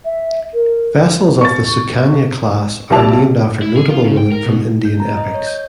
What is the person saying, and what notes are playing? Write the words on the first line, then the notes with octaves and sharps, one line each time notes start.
Vessels of the "Sukanya" class are named after notable women from Indian epics.
E5
A#4
C#6 A6
B1 G3 E4 A5 F7
E4
G#4
F4
C#3
G5
A#4
B2
G6
A#5
D#5
C#5
G6